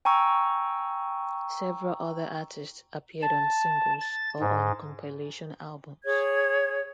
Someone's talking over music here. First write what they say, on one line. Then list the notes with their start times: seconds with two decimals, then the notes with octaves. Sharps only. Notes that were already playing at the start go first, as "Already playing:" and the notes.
Several other artists appeared on singles, or on compilation albums.
0.05 G5 G#5 A#5 C#6 E6
3.22 A5
4.01 A6
4.40 G#2
6.04 G#4 C#5 G#6